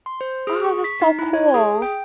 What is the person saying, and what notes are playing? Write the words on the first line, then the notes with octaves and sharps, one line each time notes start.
Oh, that's so cool.
C6
C5
G#4
C#6
B6
D#4
E4
C#5
G#4
G5